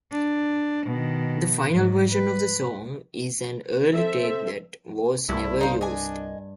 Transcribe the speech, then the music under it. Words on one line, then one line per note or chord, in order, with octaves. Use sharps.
The final version of the song is an early take that was never used.
D4
B2 D#3
G#2
B4
C4 A4 E5
C2 G2 E4
D#4 C5 F5
D4 D#5 G#5